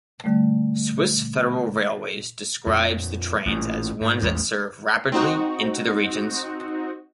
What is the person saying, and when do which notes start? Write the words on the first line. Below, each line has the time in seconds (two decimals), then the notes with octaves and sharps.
Swiss Federal Railways describes the trains as ones that serve "rapidly into the regions".
0.24 D3 G3 A3
2.66 F2 A#2
3.46 A1 A#2
4.01 G#2
4.22 A1 E2 G3 G#3
5.12 C4 D#4 F#4